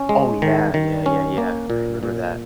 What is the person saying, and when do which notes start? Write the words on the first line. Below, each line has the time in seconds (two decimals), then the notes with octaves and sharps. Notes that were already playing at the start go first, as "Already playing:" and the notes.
Oh, yeah, yeah, yeah, yeah, I remember that.
Already playing: C#4
0.09 G#3
0.42 D#3
0.74 D#3
1.06 C#4
1.38 A#3
1.70 A#2
2.03 A#2